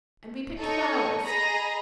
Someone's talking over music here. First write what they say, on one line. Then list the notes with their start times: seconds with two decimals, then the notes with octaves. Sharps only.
And we picked flowers.
0.58 D#4 A4 C#5 D#5 C#6
1.23 G#4 D#5 A#5 B5 A#6